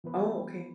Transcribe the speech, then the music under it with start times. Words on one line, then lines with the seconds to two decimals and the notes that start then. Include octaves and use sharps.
Oh, okay.
0.04 E3 B3 E4 B4